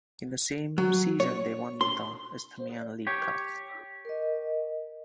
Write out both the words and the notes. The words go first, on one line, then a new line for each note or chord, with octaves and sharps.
In the same season they won the Isthmian League Cup.
F#3
C#5
C6
G4 C#5
A#4 D#5